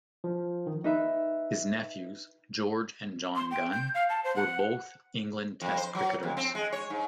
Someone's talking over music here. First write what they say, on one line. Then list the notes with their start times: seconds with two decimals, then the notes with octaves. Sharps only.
His nephews, George and John Gunn, were both England Test cricketers.
0.24 F3
0.67 D#3
0.84 D#4 B4 E5
3.36 C6
3.51 G5
3.71 G6
3.95 F5
4.09 A5
4.24 C5
4.36 F#5
5.61 F2
5.77 C5
5.95 F#3
6.23 F2
6.37 C4
6.55 G#3
6.72 C#5
6.90 G#2